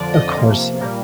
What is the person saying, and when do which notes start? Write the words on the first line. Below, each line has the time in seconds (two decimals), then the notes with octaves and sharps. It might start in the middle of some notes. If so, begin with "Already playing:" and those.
Of course, yea
Already playing: F2 D3 F3 D5
0.13 D#5
0.36 C3 F3 A#3
0.81 A#2 G3 A#3